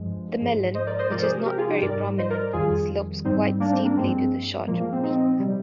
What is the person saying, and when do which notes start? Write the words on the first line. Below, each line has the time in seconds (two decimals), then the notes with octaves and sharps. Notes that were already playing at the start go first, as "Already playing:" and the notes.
The melon, which is not very prominent, slopes quite steeply to the short beak.
Already playing: G2 F3 G#3
0.40 G#2 F3 G#3
0.74 C5 D#5
0.87 A#4 D5
0.98 C5 D#5
1.10 C3 F3 G#3 A#4 D5
1.22 G#4 C5
1.34 G4 A#4
1.46 G4 A#4
1.58 F4 G#4
1.70 D#4 G4
1.82 G#2 G3 A#4 D5
2.18 C5 D#5
2.30 A#4 D5
2.53 F2 D#3 G3 F4 G#4
3.25 G#2 G3 C4 D#4
3.60 A#3 D4
3.72 C4
3.85 A#3 D4
3.96 G2 F3 G#3 C4
4.67 A#2 F3 G#3 A#3
4.80 A#3
4.92 C4
5.03 C4 D#4
5.39 C3 G3